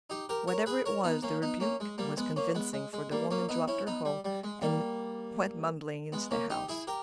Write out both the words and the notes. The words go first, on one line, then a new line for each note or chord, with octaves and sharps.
Whatever it was, the rebuke was convincing, for the woman dropped her hoe and went mumbling into the house.
D#4 G4
G4 A#4
A#4 C#5
G#4 B4
A#4 C#5
B3 D#4
A#3 C#4
B3 D#4
A#3 C#4
G#3
G3 A#3
G#3 B3
A#3 C#4
G#3 B3
G#3
G#3
G3 A#3
A#3 C#4
B3 D#4
C#4 E4
B3 D#4
G3
G3
G#3
G3 A#3
G#3 B3
A#3 C#4
D#4 G4
E4 G#4
G4 A#4